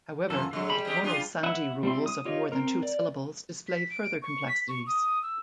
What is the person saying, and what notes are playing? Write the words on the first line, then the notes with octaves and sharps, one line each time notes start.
However, the tonal sandhi rules of more than two syllables display further complexities.
F#2 E3 F4 A4
D3 F#3 G#3
G3 B5
G#3 C4 G4
D4 F4 G#4
E4 E5 F#5
G3 C4 E4 C6
D#6
F4 G4 C#5 D#5
C4 A#4
D5
B6
D7
C#6
B6
C#6
D#6
E6